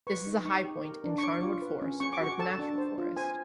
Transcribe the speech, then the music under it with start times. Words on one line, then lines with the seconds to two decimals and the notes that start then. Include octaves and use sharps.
This is a high point in Charnwood Forest, part of the National Forest.
0.07 B4 C#6
0.27 D#4
0.45 D#4 C#6
0.65 G4
0.85 A#4
1.04 D4
1.18 C#6
1.23 C#5 D6
1.43 F4
1.62 B4
1.82 C#4
2.00 C#4 C#6
2.13 D6
2.21 F#4 C#6
2.39 A4 A5
2.59 D4
2.78 C5
2.98 F4
3.16 C5 G#5